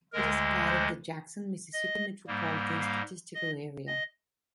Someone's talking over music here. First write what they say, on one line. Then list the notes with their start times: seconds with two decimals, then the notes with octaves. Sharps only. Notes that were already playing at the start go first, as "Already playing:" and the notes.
It is part of the Jackson, Mississippi Metropolitan Statistical Area.
0.13 D2 D3 G#3 A#4
0.67 C5
1.73 D#5
2.27 G#2 G3 A#3
2.81 F5
3.35 D#5
3.87 D#5